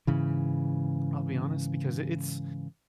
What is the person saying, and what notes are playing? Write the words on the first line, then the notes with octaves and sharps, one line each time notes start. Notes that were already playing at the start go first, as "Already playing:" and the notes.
I'll be honest because i it's
G#2 C#3 E3